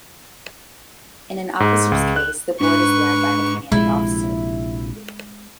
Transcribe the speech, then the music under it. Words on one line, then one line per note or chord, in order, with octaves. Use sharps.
In an officer's case, the board is led by the commanding officer.
G#2
C#2
F#6
G#2 D4 B4 C#6
A#1 C3 F3 G#3 E4